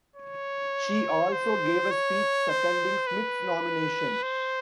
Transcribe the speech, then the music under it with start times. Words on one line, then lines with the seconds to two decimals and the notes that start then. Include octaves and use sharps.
She also gave a speech seconding Smith's nomination.
0.16 C#5
1.32 C5
1.91 C#5
2.49 C5
3.07 B4
4.23 C5